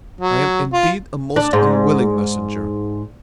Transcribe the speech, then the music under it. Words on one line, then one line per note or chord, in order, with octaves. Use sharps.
I am indeed a most unwilling messenger.
F#3
F4
D4
G#2